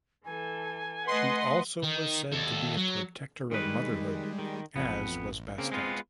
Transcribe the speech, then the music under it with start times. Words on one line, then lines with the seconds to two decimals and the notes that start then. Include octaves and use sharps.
She also was said to be a protector of motherhood, as was Bastet.
0.25 E3 A4 G#5
1.07 A3 B4 D#5 F#5 C6
1.83 D#3
2.32 D#2 A4
2.77 F#3
3.51 D#3 G3 G#3 B4
4.39 D#3
4.76 A1 F2 B3
5.58 C#3 A#3 C4
5.72 G#3 B3 F4